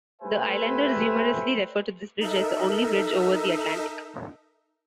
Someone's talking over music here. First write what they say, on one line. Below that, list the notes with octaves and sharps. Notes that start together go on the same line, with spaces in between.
The islanders humorously refer to this bridge as the only bridge over the Atlantic.
A3 G4 B4 C5 E5 G#5
D#4 A4 A#4 E5